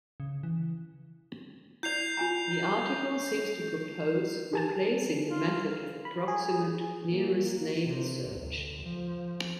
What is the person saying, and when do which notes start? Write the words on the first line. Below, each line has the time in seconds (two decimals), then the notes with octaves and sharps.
The article seems to propose replacing the method of approximate nearest neighbor search.
0.20 C#3
0.43 E3
1.83 E4 D5 G6 C7 F7
2.17 F4 G#5 A#5
4.53 G4 G#5 A5
5.31 F4
6.05 B5
6.28 G#4
7.11 A#3
7.84 C3
8.30 D2
8.83 F3